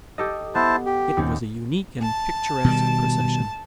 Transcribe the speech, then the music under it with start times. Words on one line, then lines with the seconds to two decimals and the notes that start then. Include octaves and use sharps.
It was a unique and picturesque procession.
0.18 G4 A4 D#5
0.55 B3 E4 C5 A5
0.86 G4
1.17 D#2 C4 C#4
2.02 A5
2.64 B2 D#3 G3